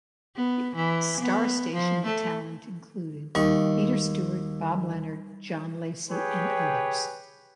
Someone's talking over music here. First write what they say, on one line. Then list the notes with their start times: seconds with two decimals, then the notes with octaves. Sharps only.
On StarStation the talent included: Peter Stewart, Bob Leonard, John Lacy, and others.
0.36 B3
0.76 E3
1.20 B3
1.73 F3
2.06 A3
3.35 D#2 G3 D#4 C#6
6.11 G4 G#4 B4 C#5 G5